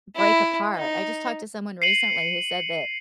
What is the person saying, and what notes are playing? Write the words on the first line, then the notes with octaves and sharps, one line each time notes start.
break apart. I just talked to someone recently who said that
E4
D#4
C7 C#7 D#7 F#7